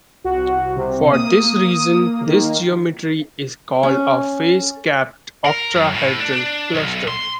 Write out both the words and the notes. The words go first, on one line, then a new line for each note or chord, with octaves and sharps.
For this reason this geometry is called a face capped octahedral cluster.
C2 F#4
C3
A#3 D#6
D#3
C#4
A#4
F#2
A2
D4
D4
B1
C6